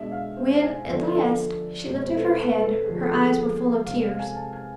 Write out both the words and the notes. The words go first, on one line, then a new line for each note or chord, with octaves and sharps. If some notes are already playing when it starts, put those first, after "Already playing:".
When, at last, she lifted her head, her eyes were full of tears.
Already playing: B2 G#3 D4 E5
F5
C5
G#5
D3 F3 B3 D4 E5
D5
A4
A4
B2 G#3 C4
C5
A4
B4
B4
A4
D3 F3 A3 G#4
A4
G#4
A4
C3 G#3 C4 F5
F5
F5
G#5
A5
G#5